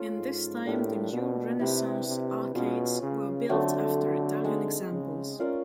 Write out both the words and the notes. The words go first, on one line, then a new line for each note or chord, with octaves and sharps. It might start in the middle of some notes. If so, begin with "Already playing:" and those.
In this time the new Renaissance arcades were built after Italian examples.
Already playing: C#4 F4 A4
G#2
A2 D4 G4 A#4
B2
C3 E4 G4 B4
C3
B2 C#4 F4 G#4 C#5
C#3
D3 F#3 A3 C4
G#3 C4 D#4
C#3
C#4 F4 A#4 D5